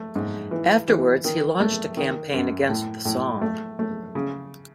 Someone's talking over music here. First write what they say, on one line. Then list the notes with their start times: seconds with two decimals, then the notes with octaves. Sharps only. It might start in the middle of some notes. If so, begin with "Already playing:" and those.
Afterwards he launched a campaign against the Song.
Already playing: A3
0.16 G#2
0.51 E3
0.88 E3
1.25 D#3
1.60 A3
1.97 D#3
2.34 F#2
2.69 A2
3.05 A2
3.42 A3
3.79 A3
4.15 C#3